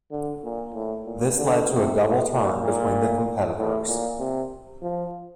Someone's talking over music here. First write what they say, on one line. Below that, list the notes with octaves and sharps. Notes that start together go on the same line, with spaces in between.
This led to a double turn between the competitors.
D3
A#2
A2
A#2
D3
C3
A2
A#2
A#2
A2
A#2
C3
F3